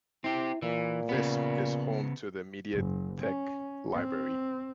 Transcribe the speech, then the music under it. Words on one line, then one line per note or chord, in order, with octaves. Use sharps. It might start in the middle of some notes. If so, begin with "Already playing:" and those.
Visp is home to the "Mediathek" library.
C4 E4 G4
A#2 E3
C#3 B3
F#1
C#4
C4